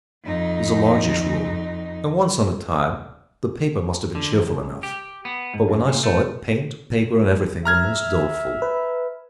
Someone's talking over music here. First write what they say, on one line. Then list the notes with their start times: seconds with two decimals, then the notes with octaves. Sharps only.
It was a largish room, and once on a time the paper must have been cheerful enough, but when I saw it, paint, paper, and everything were most doleful.
0.24 F2 D#4
4.15 D3
4.33 E2
4.47 C#2
4.83 G4
5.25 B3
5.54 G#2
5.68 F#2
5.87 A#2
6.03 A3
7.65 E5 A#5 F6 G#6
8.62 B4